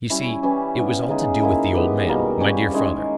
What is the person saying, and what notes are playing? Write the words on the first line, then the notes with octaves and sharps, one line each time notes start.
You see, it was all to do with the old man, my dead father.
G3 C#4 E4
E3 G3 C#4 G4
G3 B3 E4
C#3 G#3 D#4 G#4
D#3 A#3 E4
G#3 B3 G4
B2 G3 A#3
G3 C#4 G4
D#3 G#3 C#4 E4